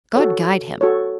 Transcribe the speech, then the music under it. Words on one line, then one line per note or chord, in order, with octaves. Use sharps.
God guide him!...
F#4 A4 C#5
F#4 A4 C#5